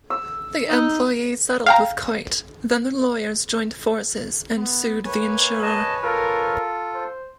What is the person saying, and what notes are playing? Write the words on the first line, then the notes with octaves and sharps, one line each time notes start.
The employee settled with Coit; then their lawyers joined forces and sued the insurer.
E6
D#4
F5 G5 A#5
B3
A#3 B4 C#5 G#5
D#5 A5
F4 A4 A#4
C5